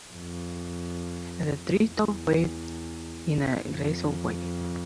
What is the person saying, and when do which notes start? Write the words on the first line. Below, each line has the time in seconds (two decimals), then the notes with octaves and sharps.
The tree top waved in a graceful way.
0.13 F2
1.90 E2
3.68 F2